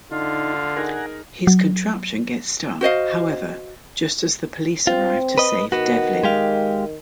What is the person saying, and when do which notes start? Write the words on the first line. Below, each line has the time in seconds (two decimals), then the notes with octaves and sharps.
His contraption gets stuck, however, just as the police arrive to save Devlin.
0.12 D3 D#4 F4
0.77 D#4 G#4 A#4 F#5 G#5 A#5
1.47 F#3
2.81 F#4 C5 D#5 F5
4.87 C4 F4
5.38 B4 D#5
5.72 D#3 B3 F#4
6.23 G#3 G4 F5